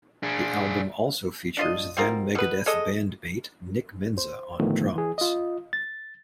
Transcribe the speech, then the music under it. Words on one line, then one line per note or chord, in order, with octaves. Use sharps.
The album also features then-Megadeth bandmate Nick Menza on drums.
D4 G#4
D4 F4 D#5
B2 C4 F4 A#4
B2 B4
G#3 A4 D#5
C5
A2 D3 D#3 F3 A3 B3
E3 G#4
F4 D#5
A6